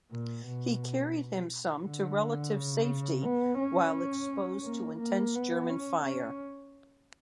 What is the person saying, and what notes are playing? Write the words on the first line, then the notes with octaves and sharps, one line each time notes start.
He carried him some to relative safety while exposed to intense German fire.
A#2
B2
D3
C#3
B3
C#4
A#3
A#3
B3
C#4
C#4